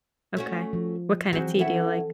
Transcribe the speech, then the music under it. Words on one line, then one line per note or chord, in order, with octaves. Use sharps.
Okay. What kinda tea do you like?
A3 C#4 F#4
F3
E3 F#3 C4 F#4 G#4 C5
C#4 E4 A4 E5 F#5